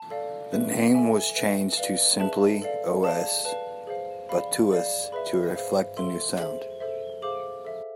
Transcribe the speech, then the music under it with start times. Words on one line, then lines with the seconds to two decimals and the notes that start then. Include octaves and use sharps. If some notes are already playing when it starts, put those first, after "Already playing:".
The name was changed to simply Os Batutas to reflect the new sound.
Already playing: A5
0.10 A4 D5 F5
0.52 B4 E5
0.94 A4 E5 G#5
1.36 B4 E5
1.77 B4 D5 F5
2.19 G#4 B4 E5 A5
2.62 A4 D5 F5
3.03 G#4 D5 F5 A5
3.45 B4 F5 A5
3.87 G#4 C5 F5
4.29 G#4 D5 F5 B5
4.71 G#4 D5 F5
5.12 G#4 B4 E5 B5
5.55 G#4 C5 F5
5.97 A4 E5 C6
6.39 G#4 C5 E5
6.80 A4 C5 E5
7.22 G#4 C5 F5 D6
7.65 A4 E5